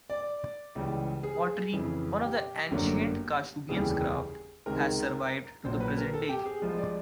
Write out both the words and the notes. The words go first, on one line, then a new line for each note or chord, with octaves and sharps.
Pottery, one of the ancient Kashubians crafts, has survived to the present day.
D5
C#2 C#3 E3 G3
G#4
F2 C#3 E3
G4
G1 F#2 D3 F#3 A#3
F1 D#2 C#3 E3 G3 G#4
C#2 C3 D#3 G#3 A#4
A#1 A#2 F#3 C5
B4
A#4
A4
G4
G#4
C2 C3 F3 G#3
D5